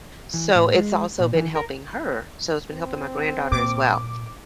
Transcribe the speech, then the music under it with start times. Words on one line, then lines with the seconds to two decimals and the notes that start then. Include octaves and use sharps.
So, it's also been helping her, so it's been helping my granddaughter as well.
0.34 E3
0.55 A2
0.75 G#3
1.20 A#2
1.35 E3
1.55 A#4
2.72 C4
3.52 A#2 D6